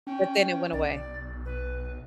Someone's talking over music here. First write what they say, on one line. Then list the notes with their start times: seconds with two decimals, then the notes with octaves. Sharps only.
but, then it went away.
0.07 C#4 G5
0.73 B1 D5
1.45 B4